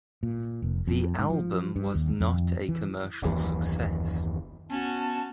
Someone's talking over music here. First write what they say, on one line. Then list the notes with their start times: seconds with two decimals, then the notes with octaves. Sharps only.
The album was not a commercial success.
0.23 A#2
0.62 F1
0.87 F2
1.18 G#2
1.30 F3
1.76 G2
1.95 D#2
2.20 F2
2.69 E3
3.22 F#1 D#2 E3
4.70 B3 C#4 F#4 A5